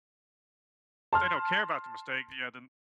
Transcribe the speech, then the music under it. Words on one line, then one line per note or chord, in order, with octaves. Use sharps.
If they don't care about the mistake, yeah, then,
A5 C6 F6